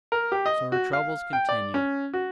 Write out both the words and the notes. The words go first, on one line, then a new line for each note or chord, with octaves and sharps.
So her troubles continued.
A#4
G4
D#5
F#4
F5
G5
D5
C#4
F#4